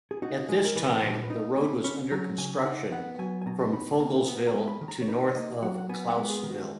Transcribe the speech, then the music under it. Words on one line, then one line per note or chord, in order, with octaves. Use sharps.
At this time, the road was under construction from Fogelsville to north of Claussville.
G#4
D#4 F#4
G#3 G#4
A#4
E3 B4
A#2
B4
D#4
A#3
B5
C#4 B5
F#3 A#5
C#3 G#5
D#4 F#5
B3 F#5
F#5
F#3 G#5
G#5
B2 A#5
D#4 B5
A#3 A#5
B3
A#5
G#3
B5
D#3
A#5
C#5
D#4 B4
C#5
A#3 D#5
F#3 F#5
F#5
B3 G#5
F#5
G#3
G#4
D#3
F#4